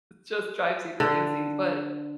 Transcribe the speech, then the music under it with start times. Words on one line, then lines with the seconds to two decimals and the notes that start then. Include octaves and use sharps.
just drives you crazy, but
1.00 D3